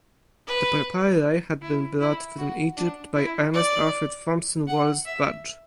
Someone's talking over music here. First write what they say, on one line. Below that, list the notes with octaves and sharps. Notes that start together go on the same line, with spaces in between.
The papyri had been brought from Egypt by Ernest Alfred Thompson Wallis Budge.
B4
E4
E4
F#4
D4
E4
D5
F#5
E5